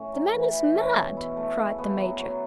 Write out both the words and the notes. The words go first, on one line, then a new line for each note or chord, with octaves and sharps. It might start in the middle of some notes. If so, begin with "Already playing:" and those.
"The man is mad!" cried the Major.
Already playing: A2 C#4
F#3
E3
E4
C#4
B2
E4
A3
C#3
B3
F#3
F#3